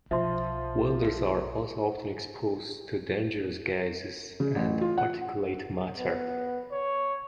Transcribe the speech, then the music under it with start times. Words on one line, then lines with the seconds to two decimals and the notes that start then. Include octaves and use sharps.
Welders are also often exposed to dangerous gases and particulate matter.
0.11 B1 F3 E5 C6
4.40 C#3
4.55 A1
4.81 F4
4.98 F#5
5.98 B3
6.71 C#5